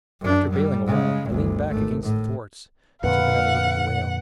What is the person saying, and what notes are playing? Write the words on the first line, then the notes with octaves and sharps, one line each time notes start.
After bailing awhile, I leaned back against the thwarts and took another look at the whale.
F#2 D4
G3
C#3 G#3
G1 D2
G#1 A3
A2
F2 A#2 D3 B4 F5 F#5